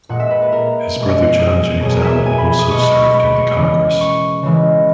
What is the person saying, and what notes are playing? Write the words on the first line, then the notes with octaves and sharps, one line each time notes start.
His brother John James Allen also served in the Congress.
A#2 G#3 F#5
E5
B4
B4
A#4
B2 G#3
G#4
B2 F#3 G#4
A#4
E5
G#5
B5
D#6
B2 G#3 C#6
B5
C#6
B5
B5
C#6
C#3 E3 G#3
C#6
C#3 E3 G#3